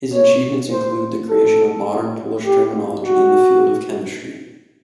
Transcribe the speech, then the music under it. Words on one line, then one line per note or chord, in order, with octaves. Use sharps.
His achievements include the creation of modern Polish terminology in the field of chemistry.
C#5
C5
A4
G4
F#4